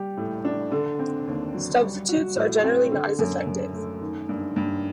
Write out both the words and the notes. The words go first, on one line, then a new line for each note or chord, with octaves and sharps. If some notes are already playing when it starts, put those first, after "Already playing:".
Substitutes are generally not as effective.
Already playing: G3 G4
A2
D4
D3
C4
D#2
F#3
G3
F#4
A2
C4
D3
F#2
F#2
A3
D#3
G2
G2